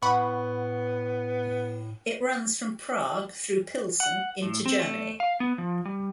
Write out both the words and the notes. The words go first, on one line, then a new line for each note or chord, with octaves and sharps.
It runs from Prague through Pilsen into Germany.
A2 B3 F#5 B5 C#6
F#5
A2
C4
A3
F5
B3
F3
G3